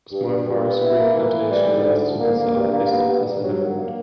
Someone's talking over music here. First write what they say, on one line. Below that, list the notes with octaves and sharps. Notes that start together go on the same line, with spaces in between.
A small forestry plantation lies to the southeast of the settlement.
G2
G2
G2
B3
E4
A#3
E3
E3
G3
D3
D2
D2
A#3
A#3
G2
A#3
B3
G2
G2
F#3
F#2
A#3